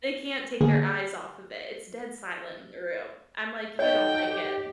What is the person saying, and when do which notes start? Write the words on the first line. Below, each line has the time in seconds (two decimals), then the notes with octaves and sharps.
They can't take their eyes off of it, it's dead silent in the room, I'm, like, "You don't like it?"
0.61 D3 A#3 G#4
3.79 D#4 F#4 A4 C#5 D#5 G5
4.31 G4